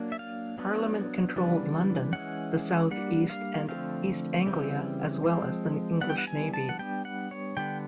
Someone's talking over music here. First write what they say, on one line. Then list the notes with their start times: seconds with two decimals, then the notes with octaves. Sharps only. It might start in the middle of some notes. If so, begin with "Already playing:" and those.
Parliament controlled London, the south-east and East Anglia, as well as the English navy.
Already playing: F#3 A#3 D4
0.12 E5
0.19 F5
0.58 F#3 B3 D4
1.36 C#3 E3 G3 B3 D4
2.13 E3 G#3 C#4 F#5
2.91 G3 A#3 D4 F#5
3.30 F5
3.68 D3 F3 A3 C4 F5
4.46 C#3 E3 G3 C4
5.24 F3 G#3 C4
6.01 E3 G3 B3 D4 F#5
6.10 G5
6.18 F#5
6.27 G#5
6.54 A5
6.69 F#5
6.79 G3 B3 D4 G5
7.05 F#5
7.31 C#5
7.57 D3 G3 B3 D4 G5